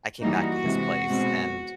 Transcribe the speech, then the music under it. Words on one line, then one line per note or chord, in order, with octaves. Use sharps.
I came back to his place, and
E3 G3 A#3 D#4 F#4
C3 E3 G#3
B2 G#3 C4